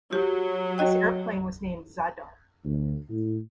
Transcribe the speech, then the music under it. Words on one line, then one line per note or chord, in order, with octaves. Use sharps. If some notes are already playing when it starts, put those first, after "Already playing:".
This airplane was named "Zadar".
F#3 G4
F#4 D#5 G5
D2
A2